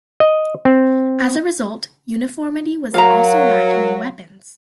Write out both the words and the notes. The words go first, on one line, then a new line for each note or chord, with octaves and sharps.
As a result, uniformity was also lacking in weapons.
D#5
C4
F#3 A#4 F5 A#5